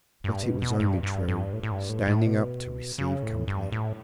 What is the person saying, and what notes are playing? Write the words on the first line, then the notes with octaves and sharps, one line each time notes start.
But it was only True, standing up to receive company.
G2
B2
B2
G2
G2
G2
A2
A2
G2
A2
A2
B2
C#3
A2
G2
A2